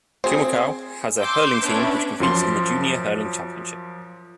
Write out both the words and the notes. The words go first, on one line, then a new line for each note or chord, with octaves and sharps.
Kilmacow has a hurling team which competes in the Junior Hurling Championship.
C4 G#4 C5
C6 D6 E6 G6
B3 C#4 D4 B4 E5 D7
F#2 F3 C6